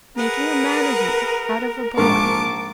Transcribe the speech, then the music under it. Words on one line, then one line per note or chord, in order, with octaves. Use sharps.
Making a man of you, out of a boy.
G#4 A#4 B4 F#5
A#1 G#2 A#4 A5 C#6 D6